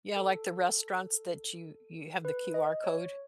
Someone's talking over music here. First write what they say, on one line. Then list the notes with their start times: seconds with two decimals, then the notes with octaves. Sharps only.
Yeah, like the restaurants that you you have the QR code,
0.16 A4
2.25 B4
2.54 D#5
2.84 C#5